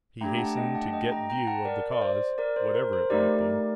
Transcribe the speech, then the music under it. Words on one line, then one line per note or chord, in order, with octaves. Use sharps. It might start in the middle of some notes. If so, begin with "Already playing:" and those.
He hastened to get view of the cause, whatever it might be.
A3 D4 G4 G5 A#5
F#5 A5
D#5 G5
F#5 A5
D#5 G5
G5 A#5
G5 A#5
F#5 A5
A#4 D5
D5
C5
A#4 D5
C5
A#4
C5
A3 D#4 G4 A#4 D5